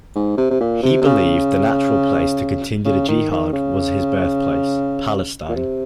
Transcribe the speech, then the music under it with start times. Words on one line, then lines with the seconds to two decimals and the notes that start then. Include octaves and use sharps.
He believed the natural place to continue the jihad was his birthplace, Palestine.
0.15 G#2
0.37 C3
0.50 C3
0.60 A#2
0.82 C3
1.01 C3
1.06 C#3
2.85 C#3
3.08 D#3
3.31 D#3
3.53 C#3
5.49 A#2
5.55 C3